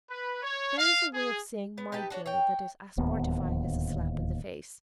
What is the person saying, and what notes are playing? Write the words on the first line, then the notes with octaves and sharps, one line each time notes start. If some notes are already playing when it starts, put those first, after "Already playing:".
There is a way of saying "my dear" that is as mortifying as a slap in the face.
B4
C#5
F5
G#4
B3
D#4 G4 B4 A5
D4 F#4 C#5
C#5 G5
D1 D#2 B3